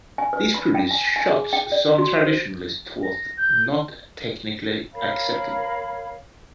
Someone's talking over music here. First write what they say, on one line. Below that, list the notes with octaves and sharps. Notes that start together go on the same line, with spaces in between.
This produced shots some traditionalists thought "not technically acceptable".
G#5
B4
B5
G5
G#5
G#5
G#4
G5
D5
F#4
C5
A#6
G6
A#4 C#5 F5 B5